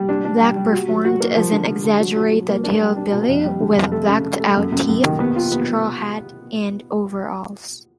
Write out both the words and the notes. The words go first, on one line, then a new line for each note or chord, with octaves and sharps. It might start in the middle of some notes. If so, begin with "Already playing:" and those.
Black performed as an exaggerated hillbilly with blacked-out teeth, straw hat and overalls.
Already playing: G3
D4
D4
G3
G3
F#4
F#3
F#4
A#3
F3
D3
D3
D3
F#3
F#3
F#3
A#3
D4
G3
D4
B2
F2
G3
D3
F2
A3
C#3
A3
A3
F#2
F#2
F#2
D#3
B3
F4
B3